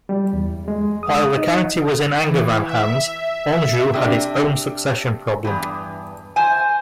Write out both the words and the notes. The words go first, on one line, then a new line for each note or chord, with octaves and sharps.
While the county was in Angevin hands, Anjou had its own succession problem.
G3
E2
G#3
D#6
D#4
E3
E5
C3 D4
E2 G2
C5 G#5